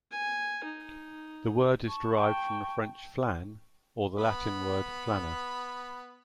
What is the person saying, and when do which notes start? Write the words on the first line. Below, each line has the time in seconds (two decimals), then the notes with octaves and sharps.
The word is derived from the French "flan"; or the Latin word "flana".
0.12 G#5
0.64 D#4
1.87 A5 C#6
2.18 G5
4.18 B3 B5